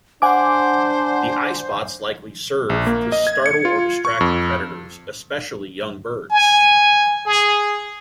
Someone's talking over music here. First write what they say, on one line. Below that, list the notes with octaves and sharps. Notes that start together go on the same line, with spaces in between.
The eyespots likely serve to startle or distract predators, especially young birds.
D4 C5 F#5 G#5 D6
A#1
A#3
D#5
G#6
C#7
F4
C#6
F2
G#5
G#4